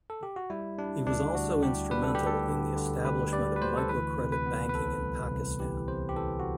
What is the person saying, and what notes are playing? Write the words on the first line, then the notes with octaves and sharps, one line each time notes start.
He was also instrumental in the establishment of microcredit banking in Pakistan.
A4
G4
F#4
G3 E4
G3 D4
D2 D4
D2 F#4
G3 G4
G3 B4
A4
G4
D2
A4
D3
D3
D2 B4
G3 D5
B4
D2 C5
A4
E3 B4
C3
B4
B3
B4
C2 A4
C2
C2
E3 G4
C3 C5
G4
E3 A4
F#4